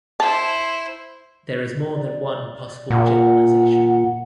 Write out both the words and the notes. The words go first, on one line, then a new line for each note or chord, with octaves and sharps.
There is more than one possible generalization.
E4 C5 A5
D5
A#2 F#5